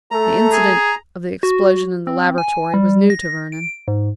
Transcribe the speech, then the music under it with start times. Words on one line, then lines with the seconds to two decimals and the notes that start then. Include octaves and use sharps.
The incident of the explosion in the laboratory was new to Vernon.
0.11 A3 A4 A#5
0.52 G#4
1.43 F#4
2.07 C4
2.38 G#5
2.74 G3
3.10 A#6
3.52 D7
3.88 G#2